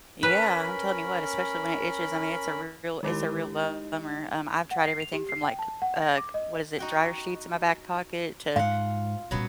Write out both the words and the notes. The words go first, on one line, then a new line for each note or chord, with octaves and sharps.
Yeah, I'm telling you what, especially when it itches, I mean, it's a real it's a real bummer. Um, I've tried everything from like, uh, what is it, dryer sheets in my back pocket to a
C#4 A#4 B4 B5
D#3 G#3 E4 G4 A#4 D6
D#4
F#5
C7
F7
G4
C7
G5
A5
F#5
A#6
D6
D#5
D#4 F#4 G5
G#2 F4 F5 F#5
A#2 F#3 G3 B3 C#4